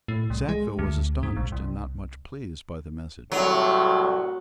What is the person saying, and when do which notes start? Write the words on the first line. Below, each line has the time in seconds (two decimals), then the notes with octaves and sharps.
Sackville was astonished and not much pleased by the message.
0.08 A2
0.30 C2
0.49 G#3
0.79 D2
1.23 G#2
1.36 A#1
1.52 C2
3.32 C2 A2 F#3